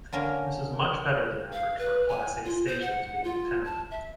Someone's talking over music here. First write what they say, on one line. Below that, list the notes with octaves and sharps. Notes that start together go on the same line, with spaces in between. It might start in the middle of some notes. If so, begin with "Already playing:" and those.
This is much better than average for a Class A station's main antenna.
D3 A#3 C#4 A#4
F5
B4
G#5
F4
C5
F#5
F4
A5
E5